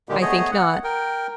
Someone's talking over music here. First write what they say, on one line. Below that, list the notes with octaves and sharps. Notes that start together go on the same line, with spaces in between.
"I think not."
A#2 D3 D#3 G#3 G4
A3 B3 G#4 C#5 D#5
F#5
A#4 G5